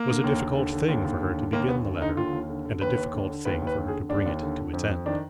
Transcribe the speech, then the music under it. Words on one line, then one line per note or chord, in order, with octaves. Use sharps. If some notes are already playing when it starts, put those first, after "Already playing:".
It was a difficult thing for her to begin the letter, and a difficult thing for her to bring it to its end.
Already playing: A#3
D3
D#2
D#2
D3
D3
D#2
D#2
D3
D3
D#2 A#3
D#2 B3
D3
D3 D#4
D#2 F4
D#2
D3
D3
D#2 B4
D#2
D3
D3
D#2 B4
D#2
B4
D3
G#4
D3
D#2 D4
D#2
D3
D3
F2
F2
D#3 D4